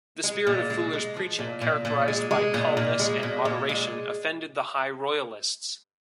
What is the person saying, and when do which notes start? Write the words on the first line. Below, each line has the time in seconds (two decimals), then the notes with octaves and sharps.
The spirit of Fuller's preaching, characterized by calmness and moderation, offended the high royalists.
0.24 G#3
0.47 A#2
0.70 G#3
0.93 G#3
1.16 F3
1.39 A#2
1.61 A#2
1.85 A#2
2.08 G#3
2.31 G#3
2.54 A#2
2.77 A#2
3.00 G#3
3.23 A#2
3.45 A#2
3.69 G#3